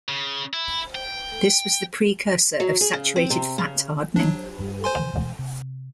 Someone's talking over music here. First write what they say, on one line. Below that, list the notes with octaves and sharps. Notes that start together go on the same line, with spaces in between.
This was the precursor of saturated fat hardening.
C#3
E4
G5
F#3
G#4
C#3
C4
C3
C#3
F#3 D4
G2 G3
C5 G#5 C6
C3 D#3 E3
B2 E3 G#3
C3